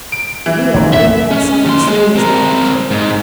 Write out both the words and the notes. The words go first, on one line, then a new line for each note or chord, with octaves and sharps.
The wheel really had suffered serious damage.
D7
E3
A1 D#3
A#1 F2 E5
C#4
D#2 C6
G#3
C4 A#4
G#2